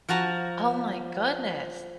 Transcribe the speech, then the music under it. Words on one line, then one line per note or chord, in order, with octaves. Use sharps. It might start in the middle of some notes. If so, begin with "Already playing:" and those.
Oh my goodness.
F3 F#4 A5 A#5